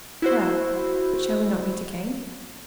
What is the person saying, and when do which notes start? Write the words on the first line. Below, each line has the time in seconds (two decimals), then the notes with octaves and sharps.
"Well, but shall we not meet again?"
0.22 E4 F#4 C5